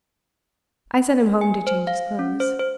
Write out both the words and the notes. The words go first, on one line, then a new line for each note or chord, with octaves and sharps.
I sent him home to change his clothes...
G#5
C5
F5
C#4
C5
C5